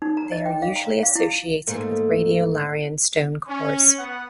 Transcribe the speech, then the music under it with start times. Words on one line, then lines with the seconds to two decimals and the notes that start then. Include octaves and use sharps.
They are usually associated with radiolarian stone cores.
0.02 D#4
0.17 A#5
0.32 D#5
0.46 G5
0.62 F5
0.76 A#5
1.03 F5
1.15 E4
1.67 G#2 A3 A#3
3.48 C#4
3.99 B3 F#5